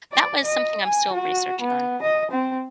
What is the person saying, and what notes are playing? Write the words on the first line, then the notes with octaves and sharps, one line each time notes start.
that was something I'm still researching on.
D5
D#5
G#5
F#4
B3
D#5
C4